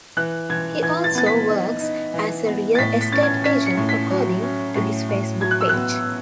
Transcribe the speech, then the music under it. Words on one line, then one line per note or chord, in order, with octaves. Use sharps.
He also works as a real estate agent according to his Facebook page.
E3 F#6
E3 G#6
E3 G#6
A6
B3 A6
B6
D#4
D#4
E3
B3
A6
A2 B6
B6
C#4 A6
G#6
C#4 B6
C#7
A2
B6
F#3
C#4
A2
A2
F#3 G#6
F#6
E6
B3 F#6